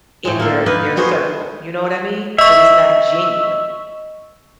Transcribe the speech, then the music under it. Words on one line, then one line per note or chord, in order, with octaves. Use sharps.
in their their circle, you know what I mean? But it's not genuine.
A2 G#3
A#3 A4
A#3 D#4 B4
B3 F#4 G#4 C5
D#5 E5 C#6